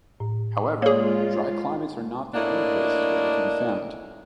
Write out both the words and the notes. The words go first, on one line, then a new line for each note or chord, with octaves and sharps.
However, dry climates are not the only places where they can be found.
A2
G#3 A#3 F4 G#4 C#5 D5
A2 A#3 D4 E4 D#5